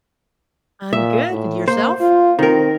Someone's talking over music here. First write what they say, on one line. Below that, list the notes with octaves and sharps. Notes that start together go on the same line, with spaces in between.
I'm good, and yourself?
A#2 E5
A2
A#3 C5
F4
D#3 C4 A#4